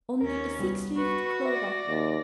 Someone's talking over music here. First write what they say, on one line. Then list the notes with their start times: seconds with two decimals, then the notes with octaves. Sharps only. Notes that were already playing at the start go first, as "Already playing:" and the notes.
Only a six-leaved clover!
0.21 D#2 C#4 A#4
0.59 C2 G3 B3
0.98 F#4 B4 C#6
1.45 D5 E5 A#6
1.87 D#2